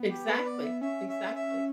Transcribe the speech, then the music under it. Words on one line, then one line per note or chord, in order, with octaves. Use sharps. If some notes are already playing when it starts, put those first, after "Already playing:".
Exactly, exactly.
Already playing: B3
G4
B4
D5
E5
C#4 E5
E5
E5